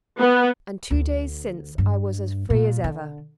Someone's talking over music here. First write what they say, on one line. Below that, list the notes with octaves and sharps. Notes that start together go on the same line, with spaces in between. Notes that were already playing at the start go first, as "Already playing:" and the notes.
"And two days since I was as free as ever."
B3
D2
G2
A#2
D3